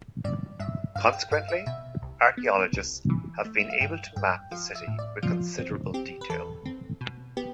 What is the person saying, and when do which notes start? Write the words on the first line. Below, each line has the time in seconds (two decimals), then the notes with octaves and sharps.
Consequently, archaeologists have been able to map the city with considerable detail.
0.24 G2 D5
0.60 G2 E5
0.96 G2 F5
1.06 F5
1.13 G5
1.31 G2 F5
1.48 E5
1.66 B2 E5
2.02 C2
2.37 B3
2.73 C2
3.10 E3
3.45 A3
3.60 E5
3.70 F5
3.81 G2 G5
4.16 G2 G5
4.51 F3 F5
4.75 E5
4.88 A2
4.99 D5
5.23 F3 F4
5.58 C4
5.94 C4 G4
6.21 B4
6.29 E2 A4
6.66 C4
7.01 B2
7.37 B3 G4